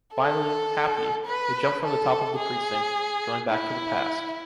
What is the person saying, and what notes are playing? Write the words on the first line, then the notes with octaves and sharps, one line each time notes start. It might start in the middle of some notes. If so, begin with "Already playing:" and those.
Finally, happy, they jump from the top of the precinct, going back to the past.
A4
B4
A4
G#4
E4